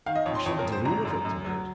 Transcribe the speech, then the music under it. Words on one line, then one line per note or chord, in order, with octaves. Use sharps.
I shall dream of it to-night.
D#3 F5
D#5
F2 C#5
C6
F2 C#5
A#4
F2
C5
G#1 A#5
F#2
F#2
F#3